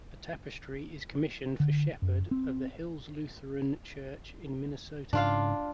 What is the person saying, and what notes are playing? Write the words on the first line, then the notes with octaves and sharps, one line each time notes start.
A tapestry is commissioned for Shepherd of the Hills Lutheran Church in Minnesota.
D3
F#2
C4
G#2 C#3 D4 F4 F5